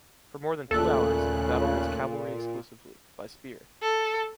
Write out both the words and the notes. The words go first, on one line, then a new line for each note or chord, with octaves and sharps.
For more than two hours, the battle was cavalry exclusively, by spear.
D#2 A#2 C#3 A3 A4 F#6
A4